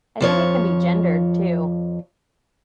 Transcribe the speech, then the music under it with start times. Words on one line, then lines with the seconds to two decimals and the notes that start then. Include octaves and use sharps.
I think it can be gendered too.
0.21 F2 F3 C#5